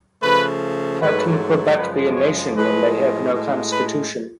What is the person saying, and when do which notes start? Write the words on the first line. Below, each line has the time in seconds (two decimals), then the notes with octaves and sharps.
How can Quebec be a nation when they have no constitution?
0.21 C#3 F3 A3 B4
1.00 G#2 F#3 A3 B4
1.77 F#2 C#3 F3 G#3 B4
2.16 C#5
2.55 A2 F3 G#3 B4
3.33 A2 G#3
3.72 B4